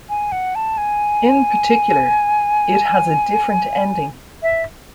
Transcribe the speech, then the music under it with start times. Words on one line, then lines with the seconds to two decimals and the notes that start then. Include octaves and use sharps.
In particular it has a different ending.
0.09 G#5
0.32 F#5
0.55 A5
0.78 G#5
4.43 E5